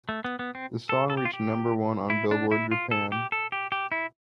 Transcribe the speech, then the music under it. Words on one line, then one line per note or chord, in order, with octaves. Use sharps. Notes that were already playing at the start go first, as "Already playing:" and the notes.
The song reached number one on Billboard Japan.
A3
B3
B3
C4
A4
A4
G4
F4
G4
E4
D4
E4
F4
A4
G4
A4
G4
G4
E4